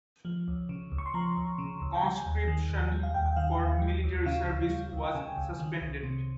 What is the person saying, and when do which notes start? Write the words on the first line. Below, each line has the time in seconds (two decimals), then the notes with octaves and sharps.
Conscription for military service was suspended.
0.25 F3
0.48 C#2
0.69 C#3
0.92 C#2
0.98 C#6
1.06 C6
1.14 F3 A#5
1.37 C#2
1.58 C#3
1.81 C#2
1.95 G5
2.03 G3 G#5
2.26 D#2
2.48 D#3
2.70 D#2
2.92 G3
3.03 F5
3.14 D#2 G5
3.26 G5
3.36 D#3 F5
3.59 D#2
3.82 G3
4.04 C#2
4.26 C#3 F5
4.48 C#2
4.70 G3
4.93 C#2
5.06 G5
5.15 C#3 G#5
5.37 C#2
5.60 D#3
5.81 C2
6.03 C3